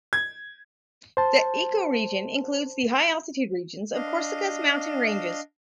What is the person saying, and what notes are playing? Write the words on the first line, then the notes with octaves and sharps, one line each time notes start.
The ecoregion includes the high-altitude regions of Corsica's mountain ranges.
G#6
C5 A5
D4 D#5 F5